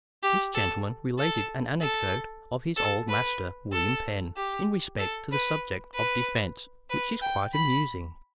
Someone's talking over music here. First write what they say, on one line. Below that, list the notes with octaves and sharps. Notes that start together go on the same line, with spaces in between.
This gentleman related an anecdote of his old master, William Penn, in respect to the subject of defence, which is quite amusing.
G4
A4
A4
A4
A4
B4
A4
G4
A4
B4
B4
B4
G5
B5